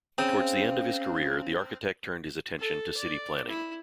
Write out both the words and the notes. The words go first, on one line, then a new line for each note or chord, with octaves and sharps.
Towards the end of his career the architect turned his attention to city planning.
C#3 C4
A4
D5
E4